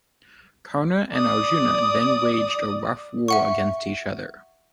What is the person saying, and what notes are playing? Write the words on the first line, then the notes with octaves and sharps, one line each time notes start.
Karna and Arjuna then waged a rough war against each other.
D5 D#6
E5 F#5 C#6